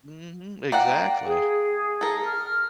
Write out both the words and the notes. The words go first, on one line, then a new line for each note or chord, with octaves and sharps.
Mhm, exactly.
A#3 D5 F#5 G5
G#4
A4 A#4
F6